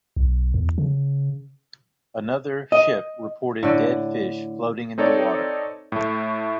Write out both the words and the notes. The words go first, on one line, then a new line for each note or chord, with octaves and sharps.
Another ship reported dead fish floating in the water.
B1
E2
C#3
D#5
A2 D3
C4 D#4 A4 C#5 D5
A2 A3